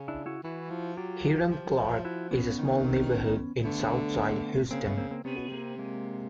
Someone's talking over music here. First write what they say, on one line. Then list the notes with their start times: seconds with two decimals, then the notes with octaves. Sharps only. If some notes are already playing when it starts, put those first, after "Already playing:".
Hiram Clarke is a small neighborhood in south side Houston.
Already playing: C#3
0.08 D4 E4
0.26 E4 F#4
0.43 E3 E4 F#4
0.70 F3
0.97 F#3 F4 G4
1.51 F3
2.05 E4 F#4
2.31 B3 C#4
2.57 D#3
3.64 D3 A3 B3
4.71 C#3 A#3 C4
4.84 A3 B3
4.97 A#3 C4
5.11 A#3 C4
5.25 C3 B3 C#4
5.36 B2
5.47 C3
5.52 A#3 C4
5.78 G#3 A#3